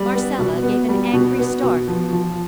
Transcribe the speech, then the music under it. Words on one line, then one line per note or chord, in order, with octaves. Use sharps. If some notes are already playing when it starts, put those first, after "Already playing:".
Marcella gave an angry start.
Already playing: G3
B3
B2
B3
G3
B2
B3
B2
F3
F3